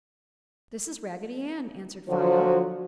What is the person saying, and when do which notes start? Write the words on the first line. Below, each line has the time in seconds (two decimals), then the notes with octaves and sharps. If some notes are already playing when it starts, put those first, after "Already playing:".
"This is Raggedy Ann," answered Fido.
2.09 D3 F3 F#3 F4 F#4 C5